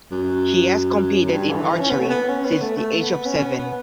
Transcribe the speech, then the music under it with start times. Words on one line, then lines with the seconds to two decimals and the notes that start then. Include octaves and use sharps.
He has competed in archery since the age of seven.
0.12 F#2
1.24 F#2
1.32 G2
1.51 D3
1.56 E3
1.80 C#4
1.90 B3
2.00 A3
2.09 B3
2.29 C#4
2.45 B3
2.61 A3
2.77 A3
3.01 B3
3.26 C#4
3.38 C#4
3.41 B3
3.58 B3